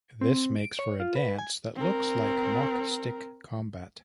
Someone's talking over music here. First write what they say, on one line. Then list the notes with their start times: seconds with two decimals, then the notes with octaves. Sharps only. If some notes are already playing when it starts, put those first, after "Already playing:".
This makes for a dance that looks like "mock stick combat".
0.21 C4
0.56 D7
0.79 C#5
1.00 F4
1.15 B4
1.39 G#5
1.76 C4 A#4